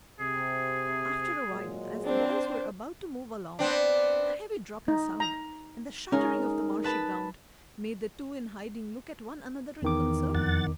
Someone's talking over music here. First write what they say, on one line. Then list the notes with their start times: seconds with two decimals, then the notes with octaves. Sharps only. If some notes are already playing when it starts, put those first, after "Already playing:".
After a while, as the boys were about to move along, a heavy dropping sound, and the shuddering of the marshy ground, made the two in hiding look at one another in concern.
0.20 C3 G#4
1.52 A#2 F#3 G#3
2.05 C4 D4 C5
3.59 B3 C4 D4
4.88 D#4
5.20 A#5
6.12 G#3 C#4 D#4 A#4
6.84 B4 A5 B5
9.82 E2 D#3 D6
10.35 F2 F#5 A6